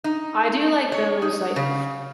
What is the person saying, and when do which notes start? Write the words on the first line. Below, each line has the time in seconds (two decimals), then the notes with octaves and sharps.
I do like those, like,
0.04 D#4
0.92 C#5
1.22 D#4
1.56 C#3